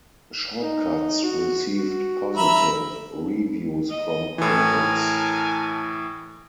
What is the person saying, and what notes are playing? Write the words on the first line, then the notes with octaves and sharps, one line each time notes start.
"Short Cuts" received positive reviews from critics.
D#4
F#4
F#4
F3 E5 A#5 B5
D#5
A2 E3 A#4 G#5 A5